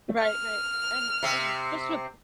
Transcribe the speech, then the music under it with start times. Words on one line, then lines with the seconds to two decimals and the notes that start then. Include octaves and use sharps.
Right right, and and just with
0.23 F6
1.23 C3 C4